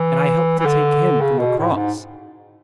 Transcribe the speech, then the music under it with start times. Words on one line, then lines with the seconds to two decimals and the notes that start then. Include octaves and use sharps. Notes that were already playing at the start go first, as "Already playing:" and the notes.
And I helped to take Him from the cross.
Already playing: E3
0.59 E3
0.65 D3
1.21 C#3
1.39 B2
1.58 A2
1.72 F#2
1.76 G#2